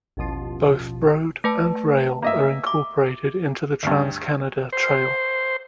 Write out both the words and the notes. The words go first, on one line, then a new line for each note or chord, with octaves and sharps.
Both road and trail are incorporated into the Trans-Canada Trail.
A1 D#2 B2 F3 F4
A3 B4 A5
A#3 D#5 E5
D6
D2 G2
C5